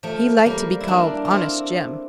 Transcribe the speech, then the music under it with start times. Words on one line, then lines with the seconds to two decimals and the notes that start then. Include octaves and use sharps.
He liked to be called Honest Jim.
0.03 F3 A3
0.46 G3 A#3
0.80 E4
0.88 A#3 D4
1.25 F4
1.30 C4 E4